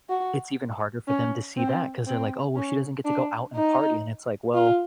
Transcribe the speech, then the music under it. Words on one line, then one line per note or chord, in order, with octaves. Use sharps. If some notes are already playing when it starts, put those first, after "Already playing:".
it's even harder for them to see that 'cause they're like, "Oh, she doesn't get to go out and party." And it's like, "Well,
F#4
C#4
C4
C4
C#4
D4
D#4
F4